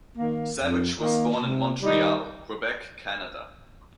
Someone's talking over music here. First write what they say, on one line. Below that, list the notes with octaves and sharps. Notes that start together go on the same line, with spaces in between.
Savage was born in Montreal, Quebec, Canada.
D#3 A#3
F2
D#3 A#3
C3
D#3 G3 D#4